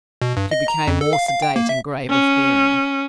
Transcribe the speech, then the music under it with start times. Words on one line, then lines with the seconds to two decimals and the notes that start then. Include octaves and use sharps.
She became more sedate and grave of bearing.
0.22 B2
0.37 G2
0.51 D#5
0.68 A#5
0.88 F2
1.01 A4
1.13 F5
1.29 F5
1.42 G5
1.56 A#3
1.69 E5
2.10 C#4